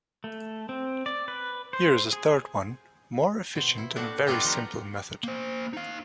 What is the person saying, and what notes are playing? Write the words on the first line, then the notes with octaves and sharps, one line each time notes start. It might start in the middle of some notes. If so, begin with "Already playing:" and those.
Here is a third one, more efficient and very simple method.
A3
C4
D5
B4
C5
G#4
B2 C5
E4
A2 A3 D4 F#4 A5
G3 B3 D4 D#4 F4 F#4
F3 F#4 G4 F#5 A#5
A#3 C5
D#4 F5